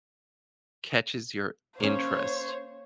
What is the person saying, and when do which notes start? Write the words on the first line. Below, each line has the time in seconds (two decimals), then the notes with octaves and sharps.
catches your interest,
1.80 A#3 C#4 C5 C#5